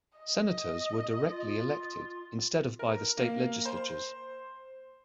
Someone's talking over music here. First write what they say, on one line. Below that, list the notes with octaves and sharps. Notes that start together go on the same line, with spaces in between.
Senators were directly elected instead of by the state legislatures.
D#5
F4
A#4
A#3
C5